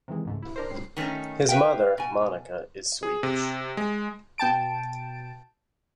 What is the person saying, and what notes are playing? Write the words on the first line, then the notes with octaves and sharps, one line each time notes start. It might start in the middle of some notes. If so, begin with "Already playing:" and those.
His mother, Monica, is Swedish.
C3 D#3 E3 G#3
C#2 G#2 A3
E4
D4 A#4 C5
A2 G3 C#4 C7
D#3 A3 C4 C#4 D#4
B4 E5 F5 G5
B2 G#5
G#4
C3
G#3
B2 G5 A5 D7